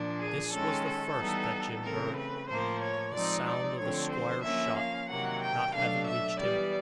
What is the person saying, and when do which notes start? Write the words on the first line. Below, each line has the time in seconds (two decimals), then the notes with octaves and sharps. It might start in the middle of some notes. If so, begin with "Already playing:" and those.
This was the first that Jim heard, the sound of the squire's shot not having reached him.
Already playing: A#2 F3 A#3 D4
0.20 G#4
0.52 D#3 G#3 C#4 A4
0.85 A4
1.18 E3 G3 B3 D#4
1.83 C#3 E3 A3 C4 A#4
2.16 B4
2.48 A2 F3 A#3 C5
2.80 C#5
3.13 F3 G#3 C4 D#4 D5
3.46 D5
3.79 D3 F3 A3 C4 C#5
4.11 C5
4.44 F3 A#3 C#4 E5
4.77 F5
5.09 C3 D#3 F#3 A#3 F#5
5.42 G5
5.74 B2 F#3 A3 D4 F5
6.07 E5
6.40 E3 G3 B3 D5